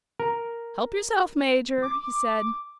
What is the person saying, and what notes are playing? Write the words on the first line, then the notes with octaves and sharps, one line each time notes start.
"Help yourself, Major," he said.
A#4
D6